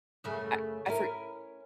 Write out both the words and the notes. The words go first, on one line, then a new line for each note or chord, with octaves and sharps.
I I for
F#2 C#3 A3
C#4 E4 A#4